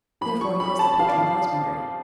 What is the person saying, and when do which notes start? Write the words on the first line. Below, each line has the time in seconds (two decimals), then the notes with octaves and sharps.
Therefore he was the patron of husbandry.
0.21 F3 B5
0.41 F3 C#6
0.60 F2 B5
0.79 F2 A5
0.99 F3 F5
1.09 D5
1.18 F3 F5